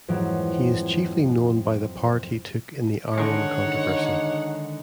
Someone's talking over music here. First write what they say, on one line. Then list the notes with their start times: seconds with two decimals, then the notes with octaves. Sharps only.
He is chiefly known by the part he took in the Arian controversy.
0.08 F2 G#2 E3 F#3
3.18 D3 D#3 G#3 C#5 F#5
3.66 D#4